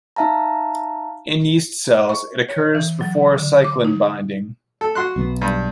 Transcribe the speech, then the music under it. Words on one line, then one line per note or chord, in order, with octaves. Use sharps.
In yeast cells, it occurs before cyclin binding.
D#4 E5 F5 A5 A#5
C#6
C#5
E3
F#3
D3
D6
D#4
A4
F#4 C6 F#6
B1 F#3 B3
G2